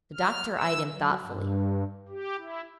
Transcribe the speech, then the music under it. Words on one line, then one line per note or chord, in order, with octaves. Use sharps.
The doctor eyed him thoughtfully.
F6
E6
F#3
G2
G4
E4